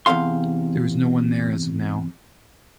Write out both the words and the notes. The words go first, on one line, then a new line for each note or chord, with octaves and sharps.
There is no one there as of now.
E2 G2 C3 F5 C6